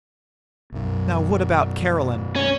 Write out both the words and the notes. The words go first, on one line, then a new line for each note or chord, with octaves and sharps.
Now what about Caroline?
B1 F#2
C#4